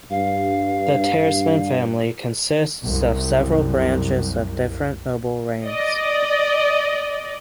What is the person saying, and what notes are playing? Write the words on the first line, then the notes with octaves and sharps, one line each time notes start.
The Tersmeden family consists of several branches of different noble ranks.
G2 F5
C2 F#2
D5 D#5